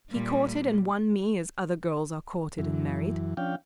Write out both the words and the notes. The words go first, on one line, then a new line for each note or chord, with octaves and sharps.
He courted and won me as other girls are courted and married.
A#2 G3
F#2 E3
F3 C#4 D4 F5 G5